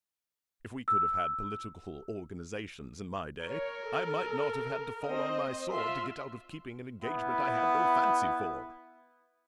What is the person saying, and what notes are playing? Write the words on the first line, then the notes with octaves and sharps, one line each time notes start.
If we could have had political organizations in my day I might not have had to fall on my sword to get out of keeping an engagement I had no fancy for.
E6
A#4 C#5
A4
C4 C5 D#5
F4 E5 C6
B3 E4